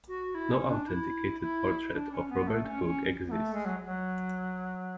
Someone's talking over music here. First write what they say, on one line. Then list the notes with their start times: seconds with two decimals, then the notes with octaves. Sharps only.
No authenticated portrait of Robert Hooke exists.
0.08 F#4
0.35 E4
0.52 C#4
0.70 D4
0.88 E4
1.41 E4
1.93 D4
2.12 C#4
2.30 B3
2.47 A3
2.65 C#4
2.84 C#4
3.27 B3
3.31 A3
3.54 G#3
3.65 F#3
3.85 F#3